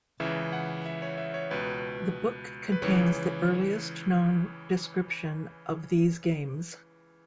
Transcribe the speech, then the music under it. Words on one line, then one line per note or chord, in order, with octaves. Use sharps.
The book contains the earliest known description of these games.
C#2 C#3 E3 E5
F#5
E5
C#5
E5
C#5
C#2 B2 B4
B4
C#2 C#3 E3 C#5